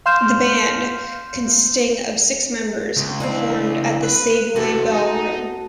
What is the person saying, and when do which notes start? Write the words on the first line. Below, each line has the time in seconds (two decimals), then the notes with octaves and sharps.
The band, consisting of six members, performed at the Savoy Ballroom.
0.06 F5 C6 F6 G6 E7
2.97 C#2
3.20 D2 E3 C4
4.03 B4
4.56 C3 E3 F#4 A4
4.91 D#4